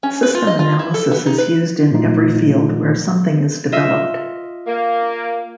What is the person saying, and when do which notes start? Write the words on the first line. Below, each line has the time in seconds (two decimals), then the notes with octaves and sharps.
System analysis is used in every field where something is developed.
0.03 C#4
0.23 B4
0.35 F4
0.47 D#5
0.59 F4
0.79 E4
0.94 A4
1.12 B3
1.26 D#4
1.38 B4
1.92 A#2 F3 A3 D#4 F4
3.72 F4 D#5 E5
4.67 A#3